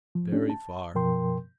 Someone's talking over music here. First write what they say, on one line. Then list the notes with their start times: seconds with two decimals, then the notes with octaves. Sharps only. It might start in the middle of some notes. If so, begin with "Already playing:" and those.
"Very far."
0.15 F3
0.32 A3 C#4 D4 G4
0.50 A5
0.94 F#2 B2 F3 A#4 G5 C6